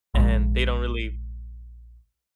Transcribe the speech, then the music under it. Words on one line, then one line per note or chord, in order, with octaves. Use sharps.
and they don't really
A#1 G#2